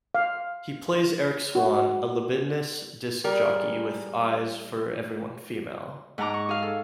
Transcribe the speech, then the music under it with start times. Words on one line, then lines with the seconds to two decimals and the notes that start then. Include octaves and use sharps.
He plays Eric Swan, a libidinous disc jockey with eyes for everyone female.
0.15 F5
1.55 F#4
3.24 G3 G#4 A#4
6.18 G#2 F#5 A5 A#5 D6
6.34 C#6
6.49 G#4 F5
6.62 A4